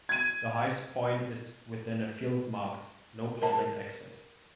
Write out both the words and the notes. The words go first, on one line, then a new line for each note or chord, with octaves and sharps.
The highest point is within a field marked "No public access".
G#6 D#7
A#4 A5